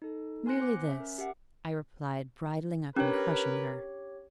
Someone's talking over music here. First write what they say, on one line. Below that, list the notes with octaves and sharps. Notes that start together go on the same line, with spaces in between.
'Merely this,' I replied, bridling up and crushing her.
D#4 A4
B3 G#5 C6 F#6 A#6 C#7
C5 D6
C#4 E5
A#4
G4 E5 F#5
C#4 D4 G4 A#4 B4 C#5